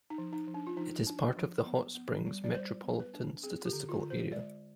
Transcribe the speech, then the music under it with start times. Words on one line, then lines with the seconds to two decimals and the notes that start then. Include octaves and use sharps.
It is part of the Hot Springs Metropolitan Statistical Area.
0.10 D#4
0.18 F3
0.33 D#4
0.48 F3
0.54 D4
0.67 F4
0.77 F3 D#4
1.07 D4
1.37 F3
1.66 B3
1.95 B3
2.26 G3
2.44 D5
2.55 G3 C5
2.84 B3
3.00 B4
3.14 D4
3.43 C4 G#4
3.65 G4
3.73 D3
3.89 F4
4.02 D3
4.10 C5
4.32 G#3 D5